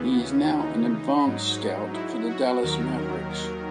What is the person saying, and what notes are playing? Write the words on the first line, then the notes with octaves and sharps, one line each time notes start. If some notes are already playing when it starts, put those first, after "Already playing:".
He is now an advance scout for the Dallas Mavericks.
Already playing: D#2 C#3 E3 B3
C#4
D#4
G#2 F#3
E4
F#4
D#2 D#3 F#3 A#4
A#4
A#4